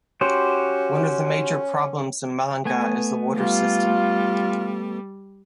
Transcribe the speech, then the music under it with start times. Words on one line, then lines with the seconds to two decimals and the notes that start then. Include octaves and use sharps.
One of the major problems in Malangas is the water system.
0.21 C#4 F#4 G4 C5
2.65 A3 B3 G#5
3.36 G3 F4